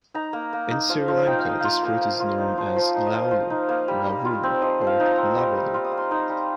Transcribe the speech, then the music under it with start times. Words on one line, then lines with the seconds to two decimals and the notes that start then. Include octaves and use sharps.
In Sri Lanka this fruit is known as "Laulu", "Lavulu" or "Lawalu".
0.14 D#4 A#5
0.33 A#3
0.53 A#3
0.71 D#4
0.89 F3 F5
1.08 F3
1.27 D#4 G5
1.39 F5
1.45 A#3 D#5
1.60 F4 F5
1.83 A#3
2.01 A#3
2.20 F4
2.38 D#4
2.58 F3
2.76 F3
2.94 D#4
3.06 D#5
3.12 F3 F5
3.31 F3
3.50 D#4
3.69 A#3
3.88 G3
4.07 G3
4.25 F4
4.43 C4
4.61 F3 D#5
4.81 F3
4.87 F5
5.00 D#4
5.11 A#5
5.18 C4
5.36 G3
5.55 G3
5.74 F4
5.85 D#6
5.92 A#3
5.97 C6
6.11 D#4 A#5
6.29 G3